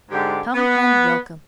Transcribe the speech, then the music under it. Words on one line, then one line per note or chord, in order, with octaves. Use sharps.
"Come, and welcome."
G#2 D3 G#3 G4
B3